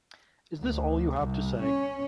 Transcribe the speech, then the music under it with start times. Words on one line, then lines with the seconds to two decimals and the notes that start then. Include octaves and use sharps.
Is this all you have to say?
0.62 D2
1.17 C2
1.62 C#4